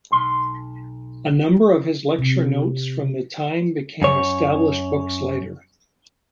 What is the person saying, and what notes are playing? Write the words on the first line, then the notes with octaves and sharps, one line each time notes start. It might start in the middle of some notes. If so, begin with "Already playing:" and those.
A number of his lecture notes from the time became established books later.
B1 C6
C3
F#2 C#5